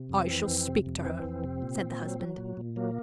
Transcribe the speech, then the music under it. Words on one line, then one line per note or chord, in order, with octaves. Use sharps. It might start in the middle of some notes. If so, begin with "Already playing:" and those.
"I shall speak to her," said the husband.
Already playing: C3
F2
C4
E3
F2
C3
F2
E3 C4
F2
C3
A#2
A#2
F#3
F#3
A#2
A#2
F#3 A#3